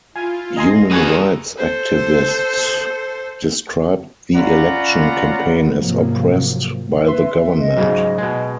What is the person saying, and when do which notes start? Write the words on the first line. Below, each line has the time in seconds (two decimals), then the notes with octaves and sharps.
Human rights activists described the election campaign as oppressed by the government.
0.16 E4 F4 G#5
0.57 D#5 G#5 A#5 C6
0.91 F#4 G#4 A4 B4 G#5 C#6
1.57 A4 C5
4.36 C#4 F4 D5 F#5 A#5 B5
5.77 G#2 C3 F3 F#3 A#3
7.05 B4 E5 C6
7.60 D#5
7.77 G#2 C#3 F#3
8.18 B2 G#3